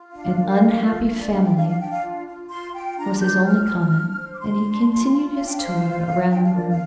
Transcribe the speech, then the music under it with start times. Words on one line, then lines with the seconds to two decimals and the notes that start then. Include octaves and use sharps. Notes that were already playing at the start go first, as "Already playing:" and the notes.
"An unhappy family!" was his only comment, and he continued his tour around the room.
Already playing: F4
0.12 D4 F5
0.36 A#4
0.60 F4
0.84 F4
1.07 D4 F5
1.20 D5
1.31 D4 F5
1.43 G5
1.55 D4 F5
1.67 F5
1.79 D4 G5
1.90 F5
2.02 F4
2.27 F4
2.50 F4 C6
2.74 F4 G5
2.98 D4 A#5
3.21 C5 G6
3.45 F4 F6
3.69 F4
3.93 D4
4.16 C5
4.33 D6
4.40 D4 C6
4.64 D4
4.88 F4
5.12 F4
5.35 D4 F5
5.46 G5
5.56 C5 F5
5.82 F4
6.07 F4
6.30 D4 G5
6.43 F5
6.54 A#4 D5
6.68 F5